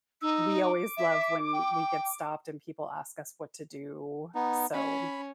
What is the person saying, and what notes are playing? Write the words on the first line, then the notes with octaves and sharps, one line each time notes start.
we always love when we get stopped and people ask us what to do. So,
D#4 E6
D6
E5
G5
B3 D#4
C#4 B5